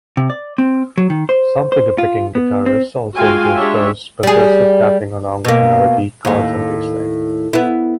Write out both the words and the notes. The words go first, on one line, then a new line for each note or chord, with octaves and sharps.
Some fingerpicking guitarists also intersperse percussive tapping along with the melody, chords and bassline.
C3
D5
C4
F#3
D#3
C5
C5
F4
B3
C4
G#3 F4 F#4 F5 G5 G#5
G#3 D4 G4 C#5 E5
G3 G#4
B2 A#3
D#2 A2
B3 E4